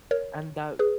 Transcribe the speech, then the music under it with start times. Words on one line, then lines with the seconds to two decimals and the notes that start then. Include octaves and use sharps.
And that
0.11 A#4 C#5
0.79 G#4 B4